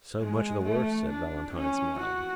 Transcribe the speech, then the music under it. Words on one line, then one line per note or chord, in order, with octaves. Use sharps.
"So much the worse," said Valentine, smiling.
G#3
A3
D4
C#4
F#4